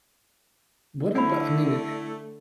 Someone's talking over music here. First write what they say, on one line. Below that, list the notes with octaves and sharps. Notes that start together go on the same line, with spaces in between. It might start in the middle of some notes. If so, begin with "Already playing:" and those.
what abou I mean, eh
D3 A3 E4 F#5 B5